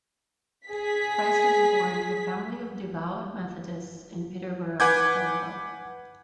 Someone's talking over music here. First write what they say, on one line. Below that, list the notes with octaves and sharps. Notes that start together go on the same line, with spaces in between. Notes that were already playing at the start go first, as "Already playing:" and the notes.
Price was born to a family of devout Methodists in Peterborough, Ontario.
G#4 B6
B4 F#5 G#5 D6 G6 G#6